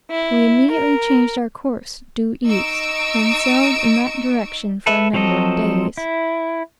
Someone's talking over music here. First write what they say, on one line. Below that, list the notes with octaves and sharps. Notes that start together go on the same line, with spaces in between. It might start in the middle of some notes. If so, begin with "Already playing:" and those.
We immediately changed our course due east, and sailed in that direction for a number of days.
E4
A#4
D#4 C#6 E6 D7
A4 B4 E5
F3 F#3 C4 A4 D#5
E4